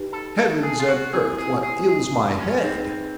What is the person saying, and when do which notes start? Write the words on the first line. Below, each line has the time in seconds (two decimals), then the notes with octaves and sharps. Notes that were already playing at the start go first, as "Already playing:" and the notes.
"Heavens and earth! what ails my head?"
Already playing: D#4 G4 B4
0.12 A4
0.37 A4
0.63 G#4
0.80 F4
0.88 F#4
1.13 C4 E4 G4 G#4 B4
1.38 G#4
1.63 G#4
1.88 G#4
2.39 C#4
2.63 C4 D#4 G#4 B4